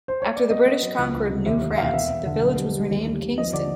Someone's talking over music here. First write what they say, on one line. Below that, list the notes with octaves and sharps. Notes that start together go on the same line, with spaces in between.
After the British conquered New France, the village was renamed Kingston.
C5
C#5
D5
B3 D#5
B3
F#3
C#2
C#2
C3
D#2 E5
D#2
E5
E1 F5
B3 E5
B3
D3
B1
G3
G3
D#2
D#2
D#2
F3 D#5
D3 D5